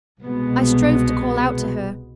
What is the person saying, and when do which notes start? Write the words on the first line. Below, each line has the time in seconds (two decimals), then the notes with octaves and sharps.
I strove to call out to her.
0.22 C2 B2 G#3 B3